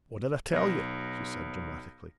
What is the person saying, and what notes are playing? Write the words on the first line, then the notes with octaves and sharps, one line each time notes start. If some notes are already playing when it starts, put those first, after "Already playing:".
"What did I tell you?" she said dramatically.
B1 A#6